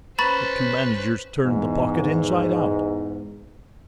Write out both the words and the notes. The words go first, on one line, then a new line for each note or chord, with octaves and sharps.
The two managers turned the pocket inside out.
C#4 B4 C5 A#5 B5 C#6 A6
E2 G#2